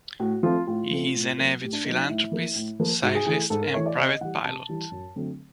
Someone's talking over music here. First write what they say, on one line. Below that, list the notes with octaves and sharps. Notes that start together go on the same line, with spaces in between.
He is an avid philanthropist, cyclist, and private pilot.
A2 F#4
F3 A3 C4 F4
A2 F4
F3 A3 C4
A2
F#3 A#3
A2 G4
D4
F#3 A#3 D#4
D#4
A2 E4
F3 A#3
A2
F3 A#3
G#2 F#4
G#4
E3 A3 G#4
G#2 A4
A#4
E3 A3 C#5
D5
C3 D#5
E3 G3 F#5
C3 A5
E3 G3
F#2
D3 F#3 A3 C4